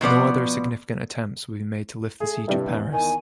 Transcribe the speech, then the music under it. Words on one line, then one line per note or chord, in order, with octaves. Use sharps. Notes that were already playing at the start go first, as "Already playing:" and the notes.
No other significant attempts would be made to lift the siege of Paris.
B2 F3 B3 D5
A3 G#4
G2 C3 G3 E4
E2
D#3 G#5